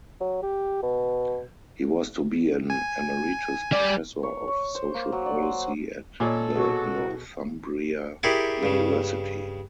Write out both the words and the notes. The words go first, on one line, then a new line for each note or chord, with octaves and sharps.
He was to be an Emeritus Professor of Social Policy at the Northumbria University.
F#3
G4
B2
G#5
G3 D5
C#5
C#5
C5
A#3
F#3
D5
C5
A#2 A4 C#5 D#5 G#5
B2 F#4 G#4 C#5
E4 G4 G#4 A#4 C#5 D5
G2 C#3